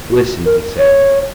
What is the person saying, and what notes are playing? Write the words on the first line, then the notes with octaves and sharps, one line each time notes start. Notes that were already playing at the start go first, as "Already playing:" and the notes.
"Listen," he said.
F#4
A#4
C#5